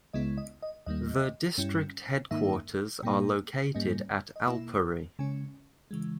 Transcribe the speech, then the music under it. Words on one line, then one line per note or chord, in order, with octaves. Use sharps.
The district headquarters are located at Alpuri.
C#2 C#3 G#3 B3 E4 D#5
D#5
D#5
D#2 D#3 G3 A#3 D#5
G2 G3 C#4 E4
G#2 D#3 A#3 D#4 E5
A#2 G3 A#3 D#4 G5
G#2 G3 A#3 C#4 D#5
D#5
B2 A#3 E4 E5
C#3 G#3 C#4 G#5
C#3 E3 G#3